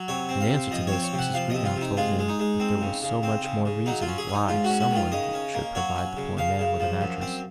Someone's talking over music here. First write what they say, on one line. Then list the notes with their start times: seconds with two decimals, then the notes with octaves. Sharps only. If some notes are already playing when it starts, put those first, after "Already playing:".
In answer to this Mrs. Greenow told him that there was so much more reason why some one should provide the poor man with a mattress.
Already playing: F#3
0.08 C3 C#5
0.29 C4
0.40 F5
0.51 C3
0.71 F3 D#5
0.87 C4 C#5
1.02 C#5
1.13 C3
1.19 F#5
1.34 F3 F5
1.50 C3 D#5
1.65 F4
1.76 C3
1.81 D#4
1.97 G#3 F4
2.19 G#3
2.28 D#4
2.39 G#3
2.60 C4
2.81 C#3
3.02 C#3
3.23 C4
3.44 C#3
3.65 C#3
3.86 F#3 D#4
4.02 F4
4.07 C#4
4.18 G#4
4.28 C#4
4.34 D#4
4.48 G#2 F4
4.64 F#4
4.70 C#4
4.80 F#4
4.91 D#3 F4
5.12 C#3 D#5
5.33 C#4
5.54 A#3
5.75 F#3 C#5
5.96 C#4
6.17 C#3
6.37 C#3 F5
6.59 C#3
6.80 F3
7.01 F#2
7.22 C4